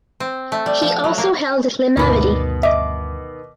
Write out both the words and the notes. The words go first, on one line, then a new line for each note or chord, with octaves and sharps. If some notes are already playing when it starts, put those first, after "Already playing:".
He also held Limavady.
C4
A3
G3
F3
F#3
A#3
D2 G2 B2 D#3 B3 D5 B5
D#5 E5 D6